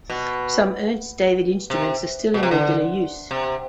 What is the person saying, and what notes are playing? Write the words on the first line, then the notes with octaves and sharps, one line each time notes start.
Some Ernst David instruments are still in regular use.
B2
C3
B2
C3
D3
C3